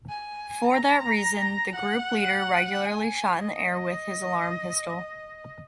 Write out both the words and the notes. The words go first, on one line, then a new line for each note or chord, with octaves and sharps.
For that reason, the group leader regularly shot in the air with his alarm pistol.
G#5
A#5
F#5
G#5
D#5